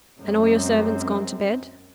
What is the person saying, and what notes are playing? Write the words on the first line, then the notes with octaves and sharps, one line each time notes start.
"And all your servants gone to bed?"
F#2 G#3 C4